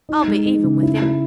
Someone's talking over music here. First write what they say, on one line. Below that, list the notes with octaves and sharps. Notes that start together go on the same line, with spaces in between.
I'll be even with him.
D#4
G#3
D#4
C#3
E4
E4